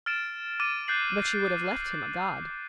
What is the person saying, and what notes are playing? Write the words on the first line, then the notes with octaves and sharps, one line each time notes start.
But she would have left him a god.
F6 A6 D7 E7
D6 F6 A6 D#7
F#6 G6 A6 C7 F#7
C7